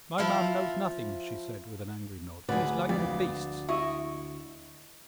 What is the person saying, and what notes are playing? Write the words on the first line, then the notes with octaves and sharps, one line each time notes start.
"My man knows nothing," she said, with an angry nod; "he is like the beasts."
F3 E4 F5
D2 G#4 B4 D5
F2 D5
E4 D#5 C#6